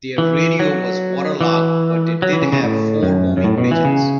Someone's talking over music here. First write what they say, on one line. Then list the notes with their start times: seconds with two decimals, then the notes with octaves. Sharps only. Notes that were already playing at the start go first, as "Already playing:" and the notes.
Their radio was waterlogged, but they did have four homing pigeons.
0.18 E3
0.59 F#3
1.41 E3
2.22 F#3
2.33 E3
2.42 C#3
2.53 C#3
2.63 A2
3.03 F#2
3.37 F#2
3.44 A2
3.58 B2
3.71 E3
3.85 C#3